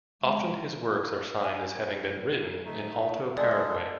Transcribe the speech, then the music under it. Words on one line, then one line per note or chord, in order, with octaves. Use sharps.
Often his works are signed as having been written in Alto Paraguay.
G#3
G#5
A3 D#4
G#3 G#4 A4 D5